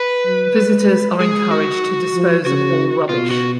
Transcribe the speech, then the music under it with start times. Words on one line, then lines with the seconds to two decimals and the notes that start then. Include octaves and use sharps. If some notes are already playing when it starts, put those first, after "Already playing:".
Visitors are encouraged to dispose of all rubbish.
Already playing: B4
0.25 F#3
0.57 G#3
0.88 G#3
1.20 G#3 G#4
1.51 F#4
2.15 F3
2.46 C#3 F#4
3.09 B2 F4
3.31 F#4